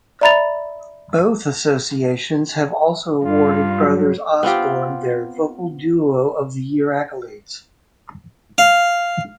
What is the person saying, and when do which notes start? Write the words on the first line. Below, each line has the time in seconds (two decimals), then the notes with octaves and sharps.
Both associations have also awarded Brothers Osborne their Vocal Duo of the Year accolades.
0.21 D5 E5 A#5 B5 A6 F7
3.24 G2 F4
3.80 F#3
4.43 B3 C4 F4 G4
8.58 F5